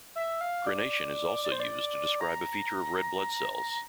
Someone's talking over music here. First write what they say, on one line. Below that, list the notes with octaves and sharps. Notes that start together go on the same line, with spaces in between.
Crenation is also used to describe a feature of red blood cells.
E5
F5
D5
D5
C5
D5
A#5